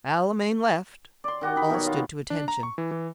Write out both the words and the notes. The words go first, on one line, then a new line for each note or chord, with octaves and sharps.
"A la main left." All stood to attention.
D5 C6
D#3 F#4 G4
D#4 B5
B2 C#5
F4
D4
A#5
C#6
E3
E3